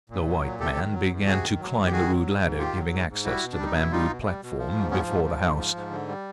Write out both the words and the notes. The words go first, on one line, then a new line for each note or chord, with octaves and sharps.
The white man began to climb the rude ladder giving access to the bamboo platform before the house.
A#2
F#3
A#2
C3 G4 A4
D#3
F#3
E2
C3 F#4 G#4
D#3
F#3
E2
G4
D#3 F#4 G#4
F#3
G#2
G#2
D#3 F4 G4
F#3
G#2
G#2
G3 E4 F#4
B2
D4
G3
D#4
B2 E4
G3 D#4 F4
B2
G3
B2
F3
G#2
F3 B3 C#4
G#2
F3
G#2
F3
G#2
D3
G3